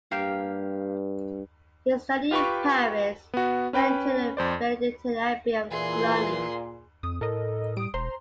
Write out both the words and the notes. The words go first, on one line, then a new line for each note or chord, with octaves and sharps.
He studied in Paris and entered the Benedictine Abbey of Cluny.
G2 A#3 G4 F5
F4 G4 B4 G5 C#6
B3 F#4
C#4 B4 G5 B5
F2 C5 D5
A#2 E3 G#4 C6
F2 D#6
A2 A4 A#4 D#5
G3 D#6 D7
E1 C5 A#5 C6